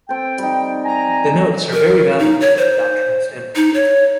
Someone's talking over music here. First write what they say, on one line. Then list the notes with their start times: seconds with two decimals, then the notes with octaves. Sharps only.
The notes are very valuable from a doctrinal standpoint.
0.09 C4 A4 G5
0.39 G3 D#4
0.85 G#5 A#5
1.73 A#4
2.19 D#4
2.41 C#5
2.58 C5
3.56 D#4
3.74 C#5